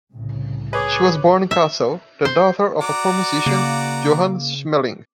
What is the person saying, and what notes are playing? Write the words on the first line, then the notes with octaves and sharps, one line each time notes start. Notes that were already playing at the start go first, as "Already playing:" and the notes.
She was born in Kassel, the daughter of a poor musician, Johann Schmeling.
C2 A2 C#3
G#4 B4 C#5 D6
E5
C5
F#4 D5 A#5 D6
C#3 A#3